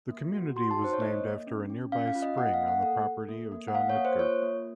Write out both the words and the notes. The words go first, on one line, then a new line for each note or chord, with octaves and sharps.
The community was named after a nearby spring on the property of John Edgar.
A#3
F#4
F#4 C6
A5
D#4
C5
C#5
A#3 D#5
A#3
C#4
C#4
C#4 F5
F5
F4
D#5
A#3 F#5
F5
A#3
F#5
A4
A4
A#3
A#3
F#5
A#3 F5
C#5
A#3
C5
F4 C#5
A#3